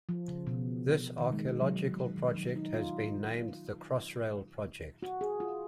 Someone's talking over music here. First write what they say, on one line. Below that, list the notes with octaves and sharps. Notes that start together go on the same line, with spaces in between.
This archaeological project has been named the Crossrail Project.
F3
C#3
B2
D#3
G#3
F#3
D#3
F#3
D#4
F4
F#4
G#4
F4